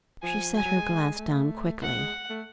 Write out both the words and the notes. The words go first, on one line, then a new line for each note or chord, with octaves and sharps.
She set her glass down quickly.
F3 G#5
F#3 G#5
F#3
G#3
A3
A3 F#5
G#3
A3